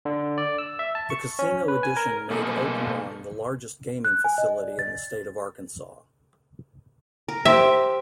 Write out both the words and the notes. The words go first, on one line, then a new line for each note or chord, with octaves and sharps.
The casino addition made Oaklawn the largest gaming facility in the state of Arkansas.
D3
D5
E6
E5
A5
C#6
C#4
B4
G#5
A#4
B2 A#3 G#4 A4
F#6
G#5
D#5
D5
A6
A#4
G4 C5 E5 G5